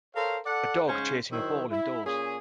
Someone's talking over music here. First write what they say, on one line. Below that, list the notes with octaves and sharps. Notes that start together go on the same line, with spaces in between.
A dog chasing a ball indoors.
A4 A#4 C5 C#5 F5
A4 D5 F#5
G#2 C#3 C#4 C5
D#3 F#3 E4 C5
E4
A#2 C#4 G#4